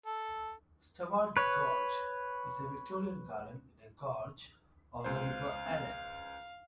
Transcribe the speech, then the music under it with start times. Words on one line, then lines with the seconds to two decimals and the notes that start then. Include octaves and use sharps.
Staward Gorge is a Victorian garden in a gorge of the River Allen.
0.06 A4
1.37 B4 C#5
5.04 C#2 C5 F5